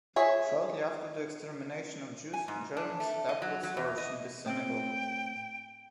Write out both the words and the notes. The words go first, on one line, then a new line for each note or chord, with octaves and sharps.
Shortly after the extermination of Jews, Germans set up food storage in the synagogue.
G#4 C#5 E5
G#5
G#2
D4
A3
D#5
F#3
F#3
E2
D#5
A2 C4 G5